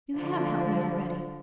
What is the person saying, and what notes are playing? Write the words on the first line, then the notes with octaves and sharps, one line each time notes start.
You HAVE helped me already.
D3 F3